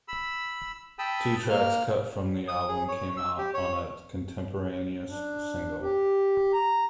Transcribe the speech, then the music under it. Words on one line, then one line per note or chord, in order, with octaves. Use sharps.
Two tracks cut from the album came out on a contemporaneous single.
B5 E6
G5 A5 B5 D#6 E6
A#3 F6
D#6
G#4
C#5
E6
G4
C#5
D4
G4
A#5